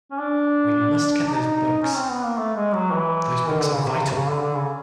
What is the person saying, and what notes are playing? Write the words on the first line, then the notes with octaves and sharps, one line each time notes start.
We must get those books; those books are vital.
C#4
D4
D4
D#4
D#4
C#4
C4
B3
A#3
A3
G#3
F#3
E3
D#3
D3
C#3
C3
C#3
C3
C#3
D3
D3
C#3